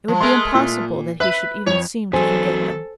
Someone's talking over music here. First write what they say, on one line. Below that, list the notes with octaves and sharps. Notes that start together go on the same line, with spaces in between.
It would be impossible that he should even seem to forget them.
F3
G#3 A3 A#4 C6
A#2
B4 E5 F#6
F2 C#5
E2 F#3 A4 C5 G#5